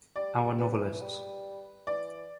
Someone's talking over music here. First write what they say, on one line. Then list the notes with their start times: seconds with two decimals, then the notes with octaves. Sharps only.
Our novelists.
0.16 G3 D5
0.44 G3
0.58 B4
0.73 E3
1.01 G3
1.87 E3 D5